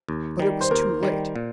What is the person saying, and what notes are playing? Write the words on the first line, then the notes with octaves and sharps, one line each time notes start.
But it was too late.
D#2
D#3 G3
C5
D#2 A#4
D#3 G3
A#2